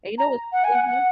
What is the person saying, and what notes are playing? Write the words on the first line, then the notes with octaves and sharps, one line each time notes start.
And you know what's crazy?
A#5
F#5
G#5
F#5
F#5